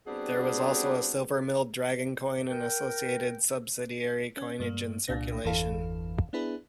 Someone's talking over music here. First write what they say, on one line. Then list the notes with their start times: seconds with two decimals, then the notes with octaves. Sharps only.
There was also a silver milled dragon coin and associated subsidiary coinage in circulation.
0.07 G3 B3 C4 D4 F#4 G#4
2.49 A#4 G5
4.37 C#4
4.60 G2 A#3
5.07 C2 A#2 D4 A#6
5.44 G1 E2 E3 A4 F5
6.33 B3 D4 E4 G#4 B4